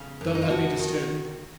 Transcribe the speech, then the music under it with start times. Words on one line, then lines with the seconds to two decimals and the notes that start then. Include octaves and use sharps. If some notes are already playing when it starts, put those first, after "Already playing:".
Don't let me disturb you.
Already playing: C#3
0.21 F#2
0.27 C#4
0.35 D#4
0.42 F4
0.49 F2 F#4
0.79 D#3